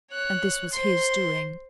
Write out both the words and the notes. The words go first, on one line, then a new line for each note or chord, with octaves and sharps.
And this was his doing.
C#5 F#6
C5 C6